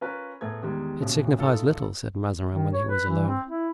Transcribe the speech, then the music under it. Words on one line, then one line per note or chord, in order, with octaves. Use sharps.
"It signifies little," said Mazarin, when he was alone.
C#4 F4 A#4 B4
A2 A3 B3 G#4 A#4 G#6
E2 D#3 G3 G#3
D#1 B1 A2 C#3
A2 D#4 F4 A4
D#3
C#5
B4
E3
C4
E4